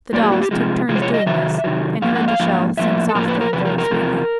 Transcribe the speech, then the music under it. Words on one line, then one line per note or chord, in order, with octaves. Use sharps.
The dolls took turns doing this, and heard the shell sing softly and very sweetly.
A2 F#3 A#3 D5
G#4
F#4
G4
C3 F3 G#3
C3 F3 G#3 G#4
C5
C#5
D#5
C3 D#3 F#3 E5
C3 D#3 F#3
G#2 F3 A#3 F5
F#5
F5
G#2 F3 A#3
A2 F3 A#3 E5
A4
A2 F3 A#3 A#4
B4
A#4
E2 C3 F3 B4
A#4
A#4
E2 C3 F3